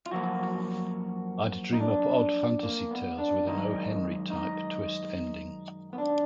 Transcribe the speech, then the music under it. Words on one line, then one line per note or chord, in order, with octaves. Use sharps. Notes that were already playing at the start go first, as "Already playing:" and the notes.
I'd dream up odd fantasy tales with an O. Henry type twist ending.
F4
F#2 F3 A#3 F#4
D#4
D4
A#3
B3
D4
F#2 D#3 G#3 D#4
D#4
B3
D4